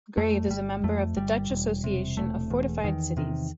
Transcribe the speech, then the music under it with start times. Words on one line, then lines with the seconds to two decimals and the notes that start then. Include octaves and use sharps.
Grave is a member of the Dutch Association of Fortified Cities.
0.17 F2 A3
0.50 G1 G3
0.84 F2 A3
1.17 G1 G3
1.50 E1
1.84 C3
2.17 E1 A3
2.50 E2
2.84 E2 D#3
3.17 C3 D#3